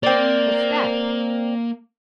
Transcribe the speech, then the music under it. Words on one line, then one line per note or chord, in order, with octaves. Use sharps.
"What's that?"
A#3 C4 D5